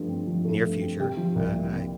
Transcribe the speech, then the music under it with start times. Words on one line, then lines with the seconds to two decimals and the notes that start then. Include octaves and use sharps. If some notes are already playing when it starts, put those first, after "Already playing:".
near future, uh, I
Already playing: G2 F3 A3
0.09 C4
0.27 F3
0.45 A3
0.63 G2
0.81 C4
0.99 C3 G4 G5
1.17 F3
1.36 C2
1.54 A#3
1.73 C3